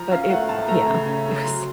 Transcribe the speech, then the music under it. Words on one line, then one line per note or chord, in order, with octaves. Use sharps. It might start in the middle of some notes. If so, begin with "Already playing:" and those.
But it yeah. It was
Already playing: F3 A#5
C#4 F5
A3 F#5
A2 A5
A3 A#5
C#3
C#4
C#3
F#3 C6